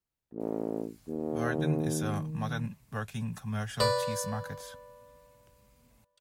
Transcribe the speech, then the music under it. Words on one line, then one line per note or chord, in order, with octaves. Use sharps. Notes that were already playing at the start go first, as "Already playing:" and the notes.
Woerden is a modern working commercial cheese market.
A1
D#2
D#3
B4 D5